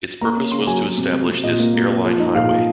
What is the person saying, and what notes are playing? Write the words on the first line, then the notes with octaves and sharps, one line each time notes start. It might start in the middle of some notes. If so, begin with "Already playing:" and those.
Its purpose was to establish this "Airline Highway".
A#3 A#5
C#4
C#3 C6
F#3 G#5
F#3
C3
C3
C3
A#2 D#5
A#3
A#3
A#3
F3
D#4
A#2 F5
A#2